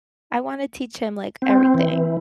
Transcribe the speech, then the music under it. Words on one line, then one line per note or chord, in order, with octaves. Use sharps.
I wanna teach him, like, everything.
C4
E3